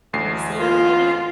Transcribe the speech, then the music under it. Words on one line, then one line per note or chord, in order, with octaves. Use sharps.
Tuxedo, maybe?
A1 D2 C7
F4